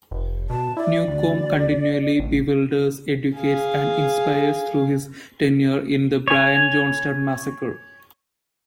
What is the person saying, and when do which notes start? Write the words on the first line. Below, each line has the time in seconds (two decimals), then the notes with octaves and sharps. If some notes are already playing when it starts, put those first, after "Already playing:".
Newcombe continually bewilders, educates and inspires through his tenure in the Brian Jonestown Massacre.
0.11 F1
0.50 B2 A5
0.77 E4 D5
1.07 D2
2.19 A1
3.37 G#4 F5
6.28 C#5 G#5